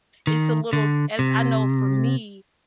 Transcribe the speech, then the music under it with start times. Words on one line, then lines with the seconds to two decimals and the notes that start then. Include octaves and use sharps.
it's a little as I know for me,
0.27 D#3
0.73 D3
1.19 C3